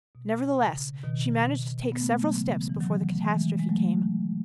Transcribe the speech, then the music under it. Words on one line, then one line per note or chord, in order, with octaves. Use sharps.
Nevertheless, she managed to take several steps before the catastrophe came.
B2
C#3
B2 D#3
B3
A3
G#3
F#3 A3
C#3 E3
E3
D#3 F#3
A3
E3 G#3
G#3
F#3 A3